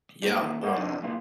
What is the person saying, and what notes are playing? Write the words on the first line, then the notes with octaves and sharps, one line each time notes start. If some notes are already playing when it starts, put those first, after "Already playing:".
Yeah. Um,
A#2 D#3 F3 G3
D#2 A#2 D#3
A4 A#4 F5 F#5
F2 C3 D4 D#4 D5 D#5
B1 A#2 C#3 F4